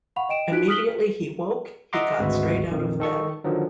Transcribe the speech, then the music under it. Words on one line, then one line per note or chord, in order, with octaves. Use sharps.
Immediately he woke he got straight out of bed.
F5 F#5 B5 C#6 F7
D#5 G5 D7 E7
D#4 F4 F#4 F#6 B6 D7
D#6 F6 F#6 B6 F#7 G7
D#5 E5 F#5 A#5 C6 D6
G#1 D2 G#3 F#4 B4 E5
A#1 F2 D#3
D#3 A4 C#6
D3 D#3 F3 F#3